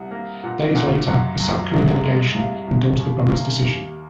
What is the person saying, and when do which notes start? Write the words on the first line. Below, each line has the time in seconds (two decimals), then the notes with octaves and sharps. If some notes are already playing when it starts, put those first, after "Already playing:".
Days later, a South Korean delegation endorsed the borough's decision.
Already playing: C2 F#5
0.11 A#3
0.43 A#2 F#5
0.75 A#2 F#5
1.07 F#2 F#5
1.40 F#2
1.71 C2
2.04 G#3
2.35 C2 F5
2.68 C2
2.99 D#2
3.32 A#3
3.64 D#2